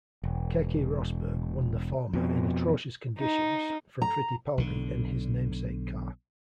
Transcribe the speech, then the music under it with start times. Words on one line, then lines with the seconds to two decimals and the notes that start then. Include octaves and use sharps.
Keke Rosberg won the former in atrocious conditions from Fittipaldi in his namesake car.
0.24 E1
2.13 F2 B2
3.19 D#4
4.02 A#5
4.58 B1 D3